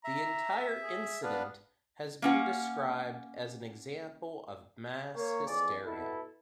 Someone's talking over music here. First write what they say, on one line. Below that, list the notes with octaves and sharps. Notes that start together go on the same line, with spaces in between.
The entire incident has been described as an example of mass hysteria.
E5 A#5
G#4
B3 D4 B4 F5
A#3 C#4 F#5
A#3 C#5
F2 E3 G#4 D5
B2 E4 A4